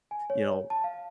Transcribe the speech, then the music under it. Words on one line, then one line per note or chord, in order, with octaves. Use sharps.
you know,
G#5
C#5
A5
F5